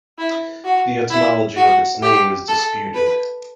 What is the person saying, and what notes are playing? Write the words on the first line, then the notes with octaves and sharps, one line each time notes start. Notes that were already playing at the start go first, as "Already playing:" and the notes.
The etymology of its name is disputed.
E4
F#4
E4
F#4
G4
A4
B4